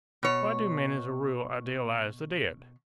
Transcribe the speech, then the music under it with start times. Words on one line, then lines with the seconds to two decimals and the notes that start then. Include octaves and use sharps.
Why do men as a rule idealize the dead?
0.23 B2 C#5